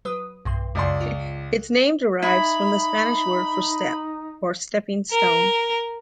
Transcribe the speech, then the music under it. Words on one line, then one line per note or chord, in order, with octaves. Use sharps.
Its name derives from the Spanish word for "step" or "stepping stone".
F#3 B4 D#6
B1 G2 C6
C#2 F#2 D5 C6
F4
D#4 E4 B5
A#4